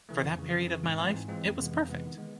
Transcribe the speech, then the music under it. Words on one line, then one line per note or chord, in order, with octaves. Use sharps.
For that period of my life, it was perfect.
C#3 E3 A3
F2
C#3 E3
F2
C#3 E3
G#2
E3 G#3 C4 F4
G#2
E3 G#3 C4 F4
F2
C3 E3 G#3 B3
F2
C3 E3 G#3 B3
D#3
G#3 B3